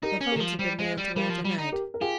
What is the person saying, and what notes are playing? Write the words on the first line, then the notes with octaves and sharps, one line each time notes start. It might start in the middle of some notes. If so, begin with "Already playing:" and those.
The phones had been manned throughout the night.
D#4 G4 A#4
C#4
G4 A#4
D#3
F3
G3 C5
G#3 G#4 C5
G3
G3 G4 A#4
F3
G3
D#4
G4 A#4
A#4
F4 G4 G#4